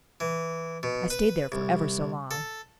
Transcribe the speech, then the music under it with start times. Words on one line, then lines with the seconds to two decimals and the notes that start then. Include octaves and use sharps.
I stayed there for ever so long.
0.20 E3
0.83 B2
1.10 B4
1.52 C2
2.31 A4